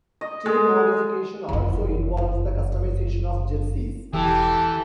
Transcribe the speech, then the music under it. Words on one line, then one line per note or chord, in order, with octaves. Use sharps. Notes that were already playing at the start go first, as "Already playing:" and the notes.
Team modification also involves the customization of jerseys.
D#5
G#3 A4
F#1 F2
E1 E3 G4 A4